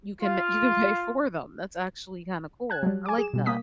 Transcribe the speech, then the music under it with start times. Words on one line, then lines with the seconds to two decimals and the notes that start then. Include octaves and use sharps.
you can you can pay for them, that's actually kinda cool, I like that.
0.21 F4
2.70 A5 F#6 G#6
2.83 F#3 G3
3.06 G#5 D6
3.18 G#4 E7
3.33 B2 G3
3.46 A#3 D#6 B6